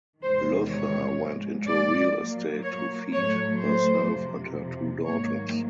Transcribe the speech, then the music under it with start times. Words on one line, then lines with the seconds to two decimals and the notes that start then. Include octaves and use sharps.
Luther went into real estate to feed herself and her two daughters.
0.22 E2 C3 D#3 G#3 C5
0.70 C#5
1.19 G#2 F3 G#3
1.67 D5
2.15 A#2 F#3 A#3
2.64 C#5
3.12 A2 F#3 A3 C#5
3.60 C5
4.08 F2 C3 F3
5.05 G#2 D#3 F#3 A#3 C#5